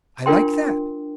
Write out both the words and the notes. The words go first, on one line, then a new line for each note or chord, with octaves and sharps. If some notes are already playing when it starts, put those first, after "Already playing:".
I like that.
D4 F4 A#4 G5 C6